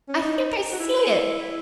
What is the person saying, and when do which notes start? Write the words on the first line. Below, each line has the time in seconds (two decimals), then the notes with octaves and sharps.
"I think I see it."
0.08 C#4
0.22 D#4
0.72 F#4
0.79 E4